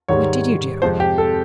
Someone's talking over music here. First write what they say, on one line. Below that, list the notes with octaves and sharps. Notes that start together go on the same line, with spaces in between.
"What did you do?"
G#2 D#3 G3 C#5
F2 C3 F3 G#3 C5
G4
A4